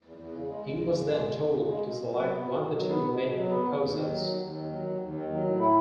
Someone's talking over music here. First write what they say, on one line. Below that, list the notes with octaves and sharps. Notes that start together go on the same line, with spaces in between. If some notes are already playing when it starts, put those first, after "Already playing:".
He was then told to select one of the two remaining proposals.
E2
E2
C#3
G#3
E2
E2
C#3
G#3
E2
E2
C#3
G#3
B2
B2
F#3
B3
B2
B2
F#3
B3
B2
B2
F#3
B3
D#2
D#2
D#3
F#3
D#2
D#2
D#3
F#3
D#2
D#2
D#3
F#3
A2
E4